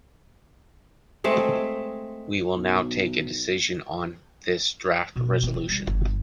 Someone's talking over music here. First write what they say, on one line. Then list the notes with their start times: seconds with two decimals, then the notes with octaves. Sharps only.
We will now take a decision on this draft resolution.
1.24 G#3 A3 C4
2.56 B1
5.16 B2
5.43 C4
5.69 G3
5.87 G1